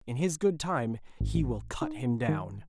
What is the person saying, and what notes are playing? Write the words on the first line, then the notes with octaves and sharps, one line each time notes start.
In His good time He will cut him down.'
G#1
A1
D#4
D#3